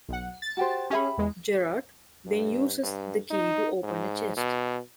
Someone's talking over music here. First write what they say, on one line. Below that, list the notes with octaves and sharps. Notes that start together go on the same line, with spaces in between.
Jared then uses the key to open a chest.
B1 F#5
A6
F#4 G4 C5
C#4 G4 G#4 E5 B5
E2 G#3
G2
G2
D#4
G#2
B2